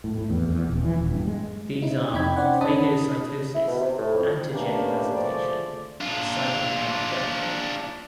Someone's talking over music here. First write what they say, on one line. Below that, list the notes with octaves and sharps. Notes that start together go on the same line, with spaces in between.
These are phagocytosis, antigen presentation, and cytokine production.
A2
A2
E2
E2
D#1
E3
D#1
G2
G#3
D#4 E4
F2 C3 D#4 G5 B5 G#6
C#4 C5 D5 F#5
C#4 D#4 A5 B5 D#6
E4
B2
C3
A2
F2
A3 A#3 C#4 D4 G4 B4
F3 A3 G#4 C5 D5
D4 F4